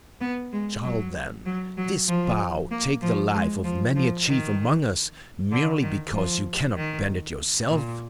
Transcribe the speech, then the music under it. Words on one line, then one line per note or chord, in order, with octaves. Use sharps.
Shall, then, this bow take the life of many a chief among us, merely because you cannot bend it yourself?
B3
G#3
F#3
F#3
F#3
F3
A#3
F3
G#3
F3
F3
D#3
D3
D#3
F3
D#3
A#2